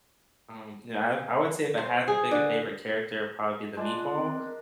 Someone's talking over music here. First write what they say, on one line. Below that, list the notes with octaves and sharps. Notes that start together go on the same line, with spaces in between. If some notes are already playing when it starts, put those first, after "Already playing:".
um, you know, I I would say if I had to pick a favorite character, it'd probably be the meatball,
C5
G#4
D3
G#3 D4 F4
C4
A#4